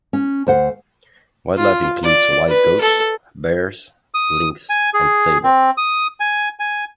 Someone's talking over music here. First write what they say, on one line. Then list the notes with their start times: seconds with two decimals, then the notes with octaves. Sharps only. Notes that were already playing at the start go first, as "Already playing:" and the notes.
Wildlife includes wild goats, bears, lynx and sable.
0.13 C#4
0.47 D2 C5 F#5
1.57 F4
2.03 D5
2.48 B4
2.81 A4
4.14 D#6
4.69 G#5
4.94 G#4
5.44 C4
5.78 D#6
6.20 G#5
6.59 G#5